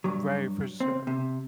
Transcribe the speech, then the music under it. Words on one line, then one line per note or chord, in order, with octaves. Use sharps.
Right, for sure.
G2 F#3
C4
C3